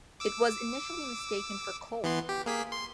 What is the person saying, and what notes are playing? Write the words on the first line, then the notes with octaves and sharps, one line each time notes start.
It was initially mistaken for coal.
D6 E6
E3 B3 C6
G4
A#3 G#4 B6
C6